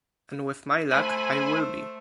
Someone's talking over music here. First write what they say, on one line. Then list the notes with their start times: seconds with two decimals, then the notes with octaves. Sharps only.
And with my luck, I will be.
0.92 A3 C5 G#5 B5